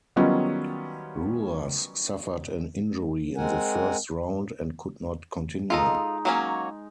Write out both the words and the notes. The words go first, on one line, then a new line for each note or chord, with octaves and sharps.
Ruas suffered an injury in the first round and could not continue.
D#3 F#3 G3 B3 C#4 F4
G#3 C4 A#4 F#5 G#5
G#3 D#4 F4 A4 D#5
F#3 A#3 C#4